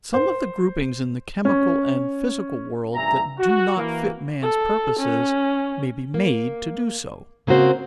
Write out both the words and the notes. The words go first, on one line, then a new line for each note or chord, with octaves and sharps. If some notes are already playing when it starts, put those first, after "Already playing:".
Some of the groupings in the chemical and physical world that do not fit man's purposes may be made to do so.
C5
C#4
A#1 G2 E5 G#5 A#5
F#4
E3 A#3
A4
C#4
A#3
C#3 A#3 C4 F#4 C5